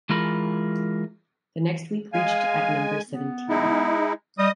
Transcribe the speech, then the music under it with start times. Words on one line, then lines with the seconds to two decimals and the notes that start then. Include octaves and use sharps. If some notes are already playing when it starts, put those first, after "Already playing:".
The next week reached at number seventeen.
0.09 E3 G#3 F4 A#4 B5
2.13 G#3 F5 G#5
3.09 B3
3.49 G#3 D#4 E4
4.38 G3 D#5 D#6